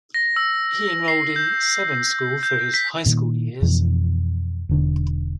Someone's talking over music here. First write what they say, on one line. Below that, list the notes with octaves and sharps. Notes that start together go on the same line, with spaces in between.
He enrolled in Severn School for his high school years.
A#6
E6
C7
G6
G6
B6
A#2 D#3
F2 B2 E3
E1 D3